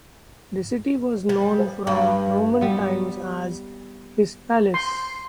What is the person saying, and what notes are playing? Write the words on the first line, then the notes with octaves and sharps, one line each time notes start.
The city was known from Roman times as "Hispalis".
G3
G2
G3 B3
C6